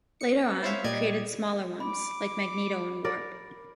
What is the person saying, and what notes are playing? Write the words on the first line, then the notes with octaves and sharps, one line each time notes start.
Later on, he created smaller ones -like Magneto and Warp.
C#7
E4 C5 C#5 E5 F5
A#2 G3 D5 D#5 G#6
B5 D6
A#4 D5